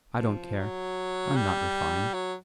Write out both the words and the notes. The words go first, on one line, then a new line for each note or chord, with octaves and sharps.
I don't care; I'm not refined.
F3
F#3
G3
F#3